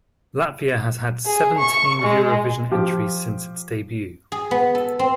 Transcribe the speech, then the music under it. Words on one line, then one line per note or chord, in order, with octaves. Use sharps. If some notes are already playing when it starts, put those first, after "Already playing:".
Latvia has had seventeen Eurovision entries since its debut.
G#4
C#6
G#3
F3 G4
G#4
B3
A4
C4